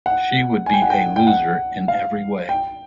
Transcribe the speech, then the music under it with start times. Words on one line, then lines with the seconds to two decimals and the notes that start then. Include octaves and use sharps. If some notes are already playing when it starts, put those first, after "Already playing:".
She would be a loser in every way.
0.06 F#5
0.66 G#5
0.74 G5
0.82 F#5
0.90 G5
1.16 G5
1.27 F#5
1.88 F5
2.49 G5